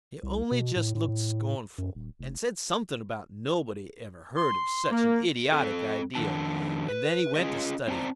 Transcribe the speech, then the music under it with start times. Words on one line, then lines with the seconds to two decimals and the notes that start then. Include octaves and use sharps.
He only just looked scornful, and said something about nobody ever heard of such an idiotic idea, and then he went to studying.
0.23 C2
0.51 B2
0.76 A2
0.95 A2
1.08 A2
1.78 F#2
1.95 D#1
2.19 F1
4.37 C6
4.90 A#3
5.52 C4 A4
6.15 F2 D#3 D4 A5
6.88 B4
7.36 C#4 F4 G#4 D#5
7.88 C4 C5 D5 A5 A#5